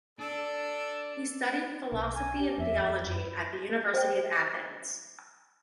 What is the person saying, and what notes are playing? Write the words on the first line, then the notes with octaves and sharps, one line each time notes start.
He studied philosophy and theology at the University of Athens.
D4 A4 D5
B1
G#5
D4 G4
F2 E5
F2
F#2 B5
C5 G5